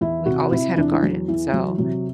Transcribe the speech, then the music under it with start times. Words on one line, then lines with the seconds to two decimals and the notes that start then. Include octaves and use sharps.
We always had a garden, so,
0.01 E2 E4
0.26 C3 F#4
0.52 C3 E4
0.77 E2 D4
0.92 E3
1.02 E2 F#3
1.28 E2 E3
1.53 E3 F#3
1.78 C3 F#3